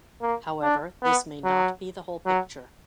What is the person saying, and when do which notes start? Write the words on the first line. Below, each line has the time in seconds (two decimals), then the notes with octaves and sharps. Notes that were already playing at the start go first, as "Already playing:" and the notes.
However, this may not be the whole picture.
0.22 A#3
0.62 D4
1.03 B3
1.44 F#3
2.26 F#3